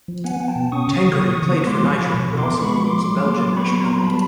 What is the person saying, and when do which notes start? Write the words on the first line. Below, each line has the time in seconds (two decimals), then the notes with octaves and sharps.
Tankary played for Niger, but also holds a Belgian nationality.
0.08 F3
0.24 B3 F#5 G#5
0.40 B3
0.48 G5 A5
0.56 B2
0.72 C#4 C#6 D#6
0.87 C#3
0.95 C#6 D#6
1.04 C#3
1.20 C#3
1.35 E3
1.51 B3
1.67 G#3 C6 D6
1.83 F3
1.91 C#6
1.98 F3 D6
2.06 B5 C#6
2.14 B2
2.30 B2
2.38 C6 D6
2.45 B3
2.62 G#3 B5 C#6
2.77 F3
2.85 C6 D6
2.93 G#3
3.09 F#3
3.25 A#3
3.41 F#3
3.57 B3 B5 C#6
3.73 F#3
3.80 A#5 C6
3.89 B3
4.04 G3 A5 B5